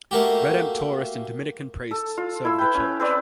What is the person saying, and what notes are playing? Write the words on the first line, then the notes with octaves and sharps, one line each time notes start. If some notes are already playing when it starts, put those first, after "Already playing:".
Redemptorist and Dominican priests serve the church.
A3 A#3 F#4 G4
A4
F4
E4 E6
B4 G5
C#4
C4 B4 D5